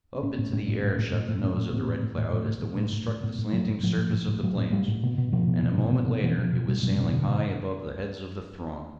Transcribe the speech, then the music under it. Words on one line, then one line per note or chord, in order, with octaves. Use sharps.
Up into the air shot the nose of the Red Cloud as the wind struck the slanting surface of the planes, and, a moment later it was sailing high above the heads of the throng.
C4
A2 C#4
A2
A2 C#4
A2 D4
A2 C#4
A2
A2
A2
A2 C#4
A2
A2 C4
A2
A2
A2
A2
A2
A2
A2
A2
A2
A2 B3
A2
A2 F#3
A2
A2 F3
A2
A2
A2
A2 F#3
A2
A2 G3
A2
B2
B2
B2 F3
B2
B2
B2
B2
B2
B2 E3
B2 F3
B2
B2 G3
B2 F#3
G3
B2 F#3
B2 D3
B2